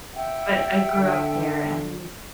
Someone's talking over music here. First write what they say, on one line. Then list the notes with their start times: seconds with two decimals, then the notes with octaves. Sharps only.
but I grew up there, and
0.14 E5 F#5 G5
0.98 D3